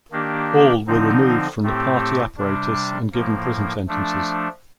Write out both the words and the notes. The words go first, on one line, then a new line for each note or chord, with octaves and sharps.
All were removed from the Party apparatus and given prison sentences.
D#3 A#3 D4 G4
D3 F3 C4 D#4
A2 A3 C4 G4
C3 G3 D4
A2 F3 A#3
F3 A3 D4